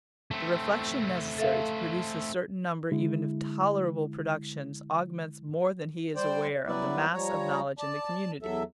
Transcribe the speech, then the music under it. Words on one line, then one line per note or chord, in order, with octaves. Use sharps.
The reflection necessary to produce a certain number even of tolerable productions augments more than he is aware of the mass of knowledge in the community.
A3 C4
A4 E5 F5
D3 G#3 E4
G3 C5 D5 G5
F#3 G3 B3 E4 B4 D5
F3 G3 C#5 A#5
D5 A5
E2 F#3 A4 E5